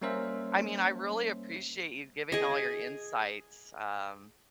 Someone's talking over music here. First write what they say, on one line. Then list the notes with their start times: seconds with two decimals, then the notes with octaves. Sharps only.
I mean I really appreciate you giving all your insights, um,
0.02 G3 A#3 C#4 A#4 C5 E5
2.32 G#4 D#5